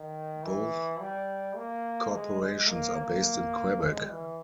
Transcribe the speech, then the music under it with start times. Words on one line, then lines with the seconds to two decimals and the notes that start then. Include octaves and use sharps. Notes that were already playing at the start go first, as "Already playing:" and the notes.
Both corporations are based in Quebec.
Already playing: D#3
0.43 E3
1.00 G3
1.56 A#3
2.12 G#3
2.40 G#3
2.69 A#3
2.97 A#3
3.81 G#3
4.09 E3